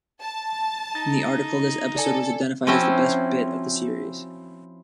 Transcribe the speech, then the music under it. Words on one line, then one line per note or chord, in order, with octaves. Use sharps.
In the article, this episode was identified as the "best bit" of the series.
A5
D#4 A6
A4 D5 G#5
F3 C4 C#4 E4 F#4 C5